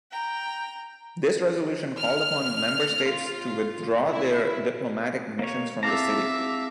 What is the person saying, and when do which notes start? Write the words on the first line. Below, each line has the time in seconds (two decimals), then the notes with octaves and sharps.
This resolution called upon member states to withdraw their diplomatic missions from the city.
0.11 G5 A#5
1.99 F6
3.06 F4
4.10 E4
5.39 A#3 C#5
5.83 C4 E4 G#4 E5 F5 A5 A#5 D6